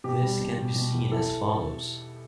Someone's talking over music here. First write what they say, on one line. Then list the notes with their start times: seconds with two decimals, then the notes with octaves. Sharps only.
This can be seen as follows.
0.04 B2 G4
0.22 G3
0.40 B2
0.58 B2
0.76 B2
0.94 E2
1.12 E3 A4